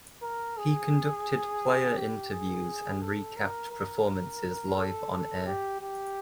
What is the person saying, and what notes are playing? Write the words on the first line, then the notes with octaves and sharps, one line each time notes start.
He conducted player interviews and recapped performances live on-air.
A#4
G#4
G4
G#4
A4
A#4
A#4
A4
A4
G4
G4